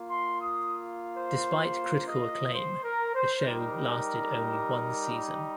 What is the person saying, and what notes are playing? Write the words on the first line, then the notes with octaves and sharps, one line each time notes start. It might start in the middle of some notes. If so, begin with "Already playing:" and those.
Despite critical acclaim, the show lasted only one season.
Already playing: A#3 F4
C6
D#6
C5
C5
D#5
C5
A#4
C5
G3 D#4 G4 A#4